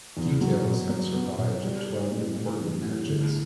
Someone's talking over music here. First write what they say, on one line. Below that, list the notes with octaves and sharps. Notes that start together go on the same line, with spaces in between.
Details have survived of twelve important matches.
E2
F#3
B2
F#3
B3
B2
G3
G3
A2
A2
E3
A2
G1